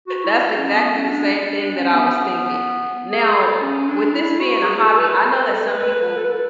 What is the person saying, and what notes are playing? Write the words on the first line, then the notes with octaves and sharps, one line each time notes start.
that's exactly the same thing that I was thinking. Now, with this being a hobby, I know that some people,
F#4
E4
E4
C#4
B3
C#4
D4
D4
C#4
B3
G#4
A4
C#4
D4
E4
F#4
G#4
A4
B4
B4
A4
B4
B4
B4
A4
B4
A4